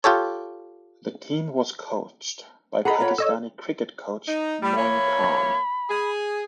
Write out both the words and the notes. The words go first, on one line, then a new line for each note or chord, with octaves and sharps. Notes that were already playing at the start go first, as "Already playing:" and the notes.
The team was coached by Pakistani cricket coach Moin Khan.
F4 G4 A4 C#5
G#4 A4 D#5 F#5 A#5 B5
F4 C#5 G5
A4 C#5 D#5 E6
D#4
G3 B5
E3 A#3 C#5
G#4